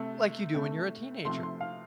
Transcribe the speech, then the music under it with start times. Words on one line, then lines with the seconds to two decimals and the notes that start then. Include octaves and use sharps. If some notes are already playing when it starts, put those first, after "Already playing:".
Like, you do when you're a teenager.
Already playing: C3 A3
0.54 C3 A3
1.25 C3 F3 A3 C6
1.43 C6
1.61 F5